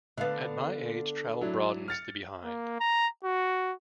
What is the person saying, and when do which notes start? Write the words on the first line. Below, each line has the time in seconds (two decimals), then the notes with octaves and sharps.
'At my age travel broadens the behind.
0.17 D3 B3 D4 F5
1.41 F#3 D4 E4
1.88 F6 A6 C#7
2.44 A#3
2.80 A#5
3.24 F#4